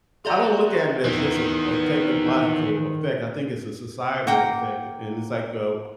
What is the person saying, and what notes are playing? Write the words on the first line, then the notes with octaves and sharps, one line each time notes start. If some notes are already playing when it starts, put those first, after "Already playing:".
I don't look at it as just a a technological effect, I think it's a societal effect, and it's, like, uh,
F#4 A4 D5 E5 A#5 C6
D#3 E3 B3
A#3 F#5 G5